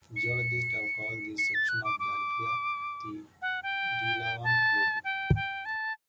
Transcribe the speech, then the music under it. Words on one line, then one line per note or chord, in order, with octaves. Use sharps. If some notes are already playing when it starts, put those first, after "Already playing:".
Geologists have called this section of the glacier "the Delavan lobe".
C#7
C#7
A6
F#6
D6
D6
F#5
G5
A5
G5
G5
A5